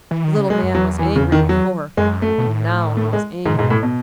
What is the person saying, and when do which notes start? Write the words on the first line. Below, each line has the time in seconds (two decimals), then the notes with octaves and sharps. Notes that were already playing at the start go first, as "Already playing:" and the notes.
The little man was angry before, but now he was angrier.
0.11 E3
0.24 D#3
0.37 C#3
0.50 B2 G#3
0.63 F#2
0.75 E2 F#3
0.99 E3
1.16 C#3
1.32 D#3
1.49 F#3
1.97 F#2 G#3
2.22 A3
2.38 B2
2.47 A2
2.97 A3
3.13 G#3
3.45 G#2 D#3
3.56 A2
3.59 G#2
3.63 B2
3.70 A2
3.83 B2